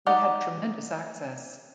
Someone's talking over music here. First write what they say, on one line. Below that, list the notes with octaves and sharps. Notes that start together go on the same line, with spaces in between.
We had tremendous access.
D#4 G4 D5 F#5 A#5